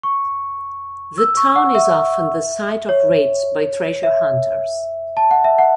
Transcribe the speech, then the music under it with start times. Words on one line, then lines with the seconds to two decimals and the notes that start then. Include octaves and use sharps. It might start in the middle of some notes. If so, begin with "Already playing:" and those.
The town is often the site of raids by treasure hunters.
0.03 C#6
1.18 E6
1.37 C#6
1.56 F#5
1.75 E5
2.89 C#5
4.03 E5
5.17 A5
5.31 F#5
5.44 E5
5.59 F#5